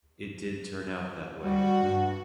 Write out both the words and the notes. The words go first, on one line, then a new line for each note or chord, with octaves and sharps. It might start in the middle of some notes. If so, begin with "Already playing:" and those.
It did turn out that way.
G3 F#4
G2